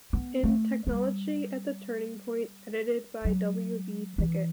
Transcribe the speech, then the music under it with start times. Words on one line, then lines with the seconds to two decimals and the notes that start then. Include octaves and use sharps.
In "Technology at the Turning Point", edited by W. B. Pickett.
0.13 B3
0.43 A3
0.87 A3
0.90 G3
3.25 F#3
4.18 E3